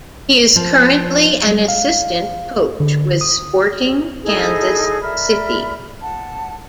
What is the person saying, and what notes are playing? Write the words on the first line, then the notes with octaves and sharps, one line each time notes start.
He is currently an assistant coach with Sporting Kansas City.
F3
G3
F5
D3
D#6
D#4 E4 G#4 A4
A#4 D5 E5 B5
F#5 A5